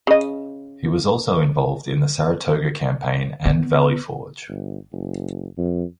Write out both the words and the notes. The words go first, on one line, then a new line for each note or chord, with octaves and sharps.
He was also involved in the Saratoga campaign and Valley Forge.
C#3 D#5
B3
G1
F#1
F2